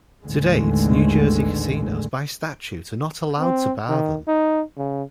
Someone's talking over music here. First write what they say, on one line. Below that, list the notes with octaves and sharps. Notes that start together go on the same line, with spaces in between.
To date, New Jersey casinos-by statute-are not allowed to bar them.
A1 D#2 D3 G#3
C4
D#3
D#4
C#3